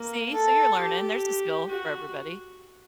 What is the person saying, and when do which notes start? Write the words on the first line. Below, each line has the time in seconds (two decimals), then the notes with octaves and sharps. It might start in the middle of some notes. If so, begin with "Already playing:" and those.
See, so, you're learning, there's a skill for everybody.
Already playing: A#3
0.32 A4
0.78 G4
1.70 F#4